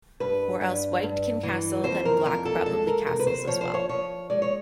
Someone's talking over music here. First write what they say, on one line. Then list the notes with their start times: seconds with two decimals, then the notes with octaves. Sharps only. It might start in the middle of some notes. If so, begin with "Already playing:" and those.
Or else White can castle, then Black probably castles as well.
0.20 G2 B4
0.61 G2
1.03 G2
1.43 E3
1.84 F2 C5
2.05 A#4
2.25 F2 A#4
2.45 A4
2.66 G#3 A4
2.87 A#4
3.06 C3 A#4
3.20 B4
3.27 C5
3.47 F3 C#5
3.61 C5
3.74 C#5
3.89 F3 C#5
4.30 G#3 D5
4.42 C#5